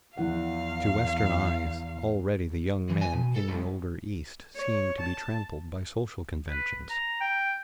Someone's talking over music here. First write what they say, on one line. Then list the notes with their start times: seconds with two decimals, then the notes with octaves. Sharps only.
To Western eyes already the young men in the older East seem to be trammeled by social conventions.
0.18 E2 F3 E4 F5 F#5
2.90 E3
3.01 G#5
3.13 B2
3.36 A4
3.49 C2
4.56 C#5
5.00 A5
6.50 B4
6.90 A#5
7.21 G5